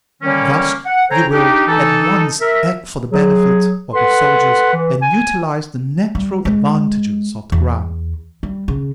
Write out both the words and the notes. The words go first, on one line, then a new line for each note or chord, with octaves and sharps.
Thus you will at once act for the benefit of your soldiers and utilize the natural advantages of the ground.
D3 D#3 G3 A#3 C#4
F#5
A4 C5 C#5 G5 G#5 A#5
D4 D#4 G4
E3 D#4 A4
A#4 E5
F#3 G#4
A4 B4 F#5 C6
E3
G#5
G3
G#3
E2
G3
C#3